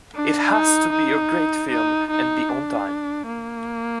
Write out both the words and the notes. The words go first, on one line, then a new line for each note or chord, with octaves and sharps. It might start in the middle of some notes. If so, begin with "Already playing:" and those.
It has to be a great film, and be on time.
D4
D#4
D#4
D#4
D#4
D4
A#3